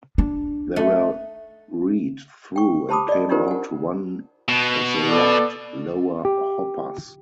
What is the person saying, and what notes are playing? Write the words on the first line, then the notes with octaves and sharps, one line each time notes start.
They were read thru and came out to one of the left lower hoppers.
D4
A3 D#4 F#5
G5 C#6
G4 C5 A5 B5 D6 D#6
D5 D#5
D4 D#4 F4 G4 A#4 C5
F#5 G#5
B2
B3 A4 D5
G4